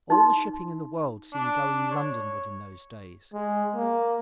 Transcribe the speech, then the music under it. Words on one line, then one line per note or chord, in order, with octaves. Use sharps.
All the shipping in the world seemed going Londonward in those days.
D#4 C6
D4
C#5
G#3
A#3